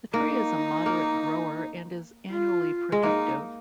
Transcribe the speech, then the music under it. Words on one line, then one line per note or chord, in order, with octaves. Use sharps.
The tree is a moderate grower and is annually productive.
A#3 D#4
A#3
F4
G#3
A#3 D#4